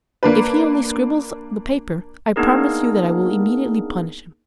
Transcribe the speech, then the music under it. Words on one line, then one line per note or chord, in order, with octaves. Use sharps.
If he only scribbles the paper, I promise you that I will immediately punish him.
A#3 D4 B4
A#3 B3 D4 D#4 G#4 A#4